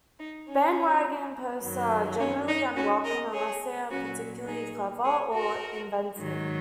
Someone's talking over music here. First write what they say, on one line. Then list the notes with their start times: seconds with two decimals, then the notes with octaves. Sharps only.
Bandwagon posts are generally unwelcome, unless they are particularly clever or inventive.
0.19 D#4
0.47 C#4
1.61 F#2 D#3 F#3
2.19 C#4
2.47 D#4
2.75 C#4 F#4
3.04 A#4 D#5
3.33 G#4 C#5
3.90 A#2 F#3 C#4 F#4
4.47 D#4 G#4
5.04 G#4 C#5
5.32 F#4 A#4
6.18 G#2 D#3 F#3